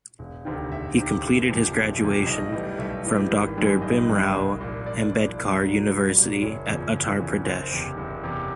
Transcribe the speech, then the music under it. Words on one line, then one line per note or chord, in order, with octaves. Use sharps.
He completed his graduation from Doctor Bhimrao Ambedkar University at Uttar Pradesh.
E1
D2 C3 D#3
E1 E5
D2 C3 D#3
F#1
E2 C3 F3
F#1
E2 C3 F3
B1 D#5
A2 E3 G3
B1 E5
A2 E3 G3
G#1
F#2 D#3 G3
G#1 D#5
F#2 D#3 G3
C2
A#2 F3
C2 D5
A#2 F3
C2
A#2 F#3
C2
A#2 F#3
F#1 C#5
E2 C#3 F3
F#1
E2 C#3 F3
F#1 C5
E2 C3
F#1
E2 C3